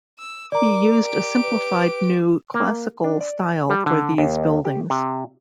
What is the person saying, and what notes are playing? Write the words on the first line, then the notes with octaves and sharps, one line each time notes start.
He used a simplified new-classical style for these buildings.
E6
A#4 D5 A#5 D6
G4 D7
B4
A#3
D4
D5
G3
D3
D#2
G4
C3